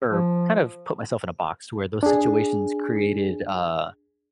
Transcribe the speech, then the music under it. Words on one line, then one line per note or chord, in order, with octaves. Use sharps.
or kind of put myself in a box where those situations created, uh,
F3
D4 G#4